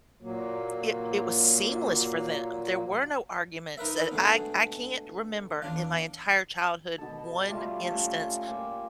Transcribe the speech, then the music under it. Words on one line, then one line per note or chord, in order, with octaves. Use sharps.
it it was seamless for them. There were no arguments that, I I can't remember in my entire childhood one instance
A#2 F#3 A#3
D#4 A#4 B4 E5
B2 D3 G#3 A3
E2 D4 F4
B2 A4
G3 A3 F4
G3 A3 C#4 F4
A#2 G5 G#5 D6